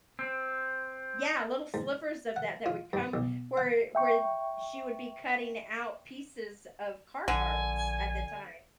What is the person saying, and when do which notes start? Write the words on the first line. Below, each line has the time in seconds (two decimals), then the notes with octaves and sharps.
Yeah, little slivers of that that would come where where she would be cutting out pieces of car parts at the time.
0.19 C4
1.74 G#2
2.36 F#5
2.66 F4
2.93 G2
3.13 B1
3.57 F#5
3.95 E5 G5 C#6
7.28 A#1 D3 G#5